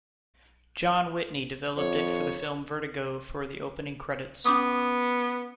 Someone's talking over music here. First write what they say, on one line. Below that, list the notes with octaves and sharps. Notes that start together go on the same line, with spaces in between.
John Whitney developed it for the film Vertigo for the opening credits.
F2 C#5
B3 C#4 D6 D#6